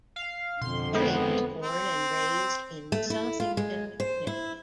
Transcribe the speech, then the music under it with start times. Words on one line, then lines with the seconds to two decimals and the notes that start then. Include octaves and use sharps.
Kelly was born and raised in Southington, Connecticut.
0.16 F5
0.62 F2 B2 D3 C6
0.95 G#3 B3 C4 A4
1.63 C4
2.92 A3
3.10 E4
3.40 F4
3.57 G#3
4.00 C5
4.27 E4